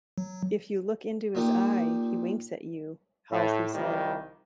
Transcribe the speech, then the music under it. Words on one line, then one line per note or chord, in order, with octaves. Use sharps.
If you look into his eye, he winks at you, Halsey said.
F#3
A#2 D#4 G4
A2
C2 D#3 F3 G3